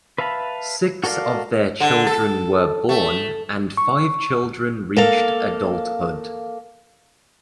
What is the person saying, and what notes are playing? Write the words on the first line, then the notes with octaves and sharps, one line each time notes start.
Six of their children were born and five children reached adulthood.
B4 E5 F5 A5 B5
F#4 A4 A#4 D5 F5
D3
A4
A3
C#6
A#3 A4 F5